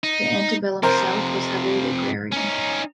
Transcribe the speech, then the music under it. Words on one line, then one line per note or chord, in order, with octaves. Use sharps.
The antebellum South was heavily agrarian.
D#4
F2 C3 A#4 C5
C#4 D#4